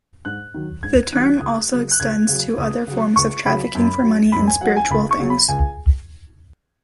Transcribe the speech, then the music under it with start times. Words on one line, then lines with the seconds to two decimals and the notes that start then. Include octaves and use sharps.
The term also extends to other forms of trafficking for money in spiritual things.
0.25 G#2 F#6
0.54 D#3 F#3
0.83 G#2 G#6
1.13 D#3 F#3 F#6
1.41 C#2 D#6
1.71 C#3 F#3
1.91 F#6
2.00 C#2 G#6
2.28 C#3 F#3
2.58 C#2 D#6
2.87 C#3 F#3
3.16 C#2 C#6
3.45 C#3 F#3 B5
3.75 F#2
4.03 F#3
4.32 F#2 B5
4.47 G#5
4.61 F#3 F#5
4.77 G#5
4.90 C#2 B5
5.11 C#6
5.19 C#3 F#3
5.30 B5
5.48 C#2 G#5